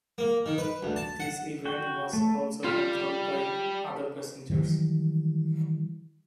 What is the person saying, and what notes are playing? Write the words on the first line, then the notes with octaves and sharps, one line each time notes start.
This event was also confirmed by other passengers.
A#3
D#3
B4
D2
A5
F#5
F#4 G5
A3
G3 F4
D#3 E3 F#3 G3